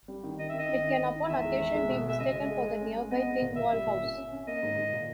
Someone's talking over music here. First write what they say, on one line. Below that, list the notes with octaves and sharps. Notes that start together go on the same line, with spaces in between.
It can upon occasion be mistaken for the nearby Thingwall House.
G3
D#3
D#3 D#5
D#3 E5
D#5
D#3
D#3
D#3
D#3
E2 E5
G#3
E2
G#3
B2
G#3 E5
C#3 D#5
G#3
G#3
G#3
C#4
G#3
B3 D#5
B3
A#2
A#2 E5
G3
A#2
C#4
C#4
C#4
A#3 D#5
G#2
G#2
A#2